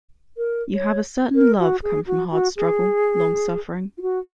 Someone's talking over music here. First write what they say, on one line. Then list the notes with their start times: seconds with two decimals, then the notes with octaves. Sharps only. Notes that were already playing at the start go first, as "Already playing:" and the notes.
You have a certain love come from hard struggle, long suffering.
0.37 A#4
0.74 C#5
1.35 A#4
1.59 F#4
1.83 G#4
2.07 F#4
2.31 F#4
2.57 G#4
3.98 F4
4.02 F#4